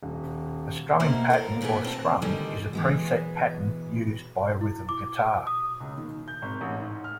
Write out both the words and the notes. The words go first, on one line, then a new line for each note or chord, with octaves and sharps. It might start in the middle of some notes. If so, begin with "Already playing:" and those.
A strumming pattern or strum is a preset pattern used by a rhythm guitar.
D#1
B2 A#3 E4 F#4 A#4 C5
D#2 A4 A#4
F2 A#2 D#3 B3 G#4
C4 A5
D3 D#3 G3 G#3
E3 G#3 B3
E4
D6
D#6
C#2
D#3
G6
G#1
A1
G#2
F6